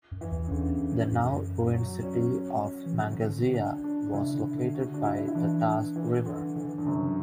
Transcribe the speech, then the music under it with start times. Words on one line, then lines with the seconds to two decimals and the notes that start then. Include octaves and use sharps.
The now ruined city of Mangazeya was located by the Taz River.
0.11 F#2
0.21 E3
0.31 E2
0.47 C#3
0.51 E2 D3
1.12 F#2
1.73 F#3
2.03 C#4
2.86 E3
2.93 D3
3.54 D4
3.84 D4
4.07 D4
4.14 C#3 E4
4.34 D3
4.55 D3
4.75 F#4
4.94 D4
5.05 E4
5.28 E4
5.35 E3 D4
5.96 E3
6.26 D3
6.56 D3 E3
6.78 G2
6.86 F#2 C#3